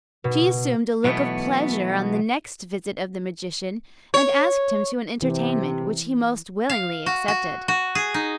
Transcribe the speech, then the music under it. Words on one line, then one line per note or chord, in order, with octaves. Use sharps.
She assumed a look of pleasure on the next visit of the magician, and asked him to an entertainment, which he most willingly accepted.
B2
B1 B2 E3 A3 B3
C#5
C3 E3
F5
F#4
F#4
F#4
G#4
D#4